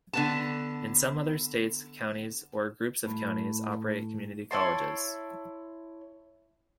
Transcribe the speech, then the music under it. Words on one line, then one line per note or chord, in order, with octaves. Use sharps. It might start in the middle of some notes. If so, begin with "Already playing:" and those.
In some other states, counties or groups of counties operate community colleges.
D3 B3 A5
A2
E4 C#5 A5 C6